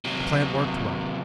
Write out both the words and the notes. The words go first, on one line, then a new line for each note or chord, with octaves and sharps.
The plan worked well.
C3 F#3